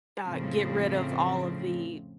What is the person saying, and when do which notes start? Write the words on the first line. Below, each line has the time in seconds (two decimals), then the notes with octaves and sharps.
uh, get rid of all of the
0.25 F2 A2 C#3 F3 C4